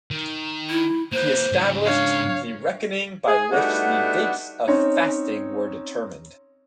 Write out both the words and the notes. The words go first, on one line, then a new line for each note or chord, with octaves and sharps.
He established the reckoning by which the dates of fasting were determined.
D#3
E4
A#3 B4 C5
G#2 C#3
D4 C#5 F5
G#4
G3 A3 B3 D4 D#4 F#4
C4 C#4 D#4 C#5